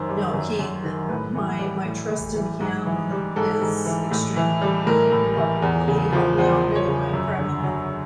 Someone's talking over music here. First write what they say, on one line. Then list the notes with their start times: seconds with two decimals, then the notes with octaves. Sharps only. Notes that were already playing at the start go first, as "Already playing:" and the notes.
no, he, eh, my my trust in him is extremely low. Will he help me out in any way? Probably not,
Already playing: F#2 D#3 C5
0.09 G3
0.34 F#2
0.59 F#2
0.84 D#3
1.09 A2 B4
1.34 E3
1.59 G3
1.85 A2
2.10 A2
2.35 E3
2.60 G#2
2.86 E3
3.11 G3
3.36 G#2 A4
3.61 G#2
3.86 E3
4.11 A2
4.36 E3
4.62 G3
4.86 A2 A#4
5.12 A2
5.37 E3
5.62 E2
5.88 C#3
6.12 F3
6.38 E2 C5
6.63 E2
6.75 C#5
6.88 C#3
7.14 F#2
7.38 D3
7.63 F#3